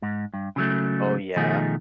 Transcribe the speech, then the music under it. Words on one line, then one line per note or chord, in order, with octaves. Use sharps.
Oh, yeah?
G#2
G2
C#3 F#3 A3
B2 D#3 F3 A3 D#4 G#4